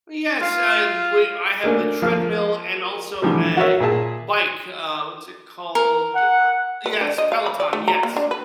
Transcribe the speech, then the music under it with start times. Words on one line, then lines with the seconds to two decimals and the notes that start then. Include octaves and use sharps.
Yes, I w I have a treadmill and also a bike, uh, what's it called? The, uh yes, Peloton, yes,
0.41 F4 F5
1.64 A3 A#3 D4 G#5
2.02 F3 A#3 F5
3.22 D3 E3 F3 G3 A3
3.57 F#4 A#4 C#5 E5
3.80 A#2 G#4 E5 A5
5.75 A#4
6.15 F#5
6.86 B4
7.01 D4
7.18 D#5
7.32 F5
7.46 B5
7.60 D5
7.73 A3
7.88 A#5
8.03 A#3
8.16 D4
8.31 B4